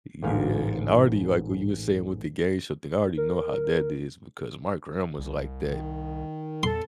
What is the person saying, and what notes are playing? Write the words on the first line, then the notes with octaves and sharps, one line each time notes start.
Yeah, and I already like what you were saying with the game show thing, I already know how that is because my grandma's like that.
A1 G#2 F5
A#4
C2
D#3
E2 A4 C6